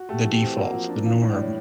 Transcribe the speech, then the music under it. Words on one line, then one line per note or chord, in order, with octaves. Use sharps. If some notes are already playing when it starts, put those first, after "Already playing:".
the default, the norm,
Already playing: F#4
A3 G4 G5
E3
G4 G5
C4
A#3 F#4 F#5
F3
D4
E3 F4 F5
A2
D5
G3 C#5